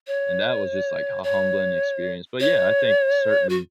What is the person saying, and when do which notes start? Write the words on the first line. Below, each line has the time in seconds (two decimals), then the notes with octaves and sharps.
and that was just, like, a humbling experience. But yeah, I think certain
0.07 C#5
1.23 C#5
2.40 C#5
3.49 F#4